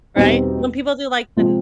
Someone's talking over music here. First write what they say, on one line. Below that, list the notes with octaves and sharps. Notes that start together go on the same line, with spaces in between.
right? When people do, like, the
E2 B2 G3 C4 D#4
C3 F3 G#3 C4 F4